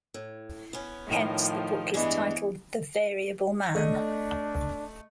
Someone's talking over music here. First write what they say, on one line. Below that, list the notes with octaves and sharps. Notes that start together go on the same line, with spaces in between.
Hence, the book is titled "The Variable Man".
A2
B3 C#4
A2 D#3 F3
G2 E3 G#3 B3 D4
A3 D4 D#5